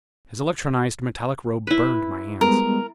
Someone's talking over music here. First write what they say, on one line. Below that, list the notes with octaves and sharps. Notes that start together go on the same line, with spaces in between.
His electronized metallic robe burned my hands.
E4 B4
G3 G#3 B3 A#4